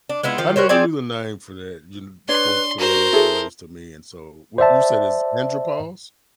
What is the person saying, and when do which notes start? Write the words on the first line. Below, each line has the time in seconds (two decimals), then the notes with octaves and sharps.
I never knew the name for that, you kn for for that as it relates to me, and so what you said it's andropause?
0.10 D4
0.23 G#3 B3 E4 F4
0.38 D#3 F3 F4
0.56 F#4 A#4 C5 C#5
0.69 C4 G#4 D5 G#5
2.29 D4 B4 C#5 D5 C6
2.79 F#4 A#4 C5
3.13 E4 G#4 A4
4.58 C5 D5 E5 A5